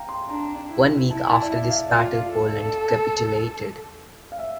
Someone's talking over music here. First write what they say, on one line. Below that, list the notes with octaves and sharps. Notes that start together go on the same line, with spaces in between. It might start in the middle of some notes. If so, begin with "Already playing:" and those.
One week after this battle Poland capitulated.
Already playing: F5 G5 A#5
C6
D4 A#5
E4
E4 A5
A5
D5
E5
F5
F4 D5
A4
F5
E5